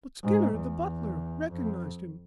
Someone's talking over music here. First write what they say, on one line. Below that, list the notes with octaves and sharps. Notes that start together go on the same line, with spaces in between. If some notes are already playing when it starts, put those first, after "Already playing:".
"But Skinner--the butler--recognised him?"
G#2
E2
F2